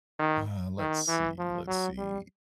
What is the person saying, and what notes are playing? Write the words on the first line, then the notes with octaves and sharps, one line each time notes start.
Uh, let's see, let's see.
D#3
D#3
E3
F3
F#3
G3